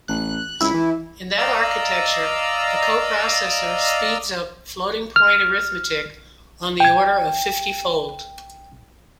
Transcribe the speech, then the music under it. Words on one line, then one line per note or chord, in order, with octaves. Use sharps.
In that architecture, the coprocessor speeds up floating-point arithmetic on the order of fiftyfold.
A1 F#6
C#2 E4
E3
D5 D#5 F5 A#5 E6
F6
G5 G#6